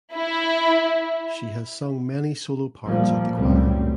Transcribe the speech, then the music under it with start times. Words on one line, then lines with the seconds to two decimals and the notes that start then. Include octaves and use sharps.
She has sung many solo parts at the choir.
0.14 E4
2.84 A#2 F3 G3 A#3
3.35 C#2 F#2 A2 G3 C4